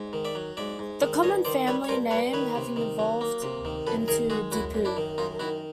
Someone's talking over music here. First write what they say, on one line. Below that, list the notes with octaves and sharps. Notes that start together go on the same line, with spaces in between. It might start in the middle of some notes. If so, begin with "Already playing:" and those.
The common family name having evolved into dePoo.
Already playing: G#2
D#3
D5 E5
F#3
G#2 D5 E5
G#2
D#3
G2 C#5 D#5
D#3 C5 D5
G3 B4 C#5
C#5
G2 A#4 C5
G2 B4 C#5
D#3 B4 C#5
C3
D#3
F#3
A#3
C3
D#3
F#2 A4 B4
D#3 G#4 A#4
G#3 F#4 G#4
F#2 E4 F#4
F#2
D4 E4
D#3
F#2 D#4 F4
D#3 E4 F#4